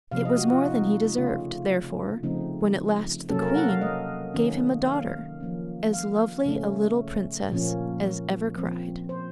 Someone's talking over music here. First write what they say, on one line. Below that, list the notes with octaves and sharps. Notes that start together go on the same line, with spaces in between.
It was more than he deserved, therefore, when, at last, the queen gave him a daughter--as lovely a little princess as ever cried.
C3 F3 C4 F5
D#5
F#4
F4
D#4
C#3 A3 C#4 F4
C#3 F3 A3 C4 D#4
C3 F#3 A#3 C#4 A4
A#4
F#5
F5
D#5
D#3 A#3 C#4
F5
F3 A#3 C#4
F5
C#3 A3 C#4
A#2 F3 A#3 C#4
F3 C4
C5